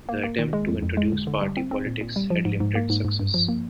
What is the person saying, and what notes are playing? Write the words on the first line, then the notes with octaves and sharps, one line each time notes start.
The attempt to introduce party politics had limited success.
A#3
A#3
D#3
G#3
F2
F2
G#3
D3
D3
G3
C4
C4
A#2
A#2
G3
F3
G#2
G#2
A#3
G#2
G#2
G2
F3
A#3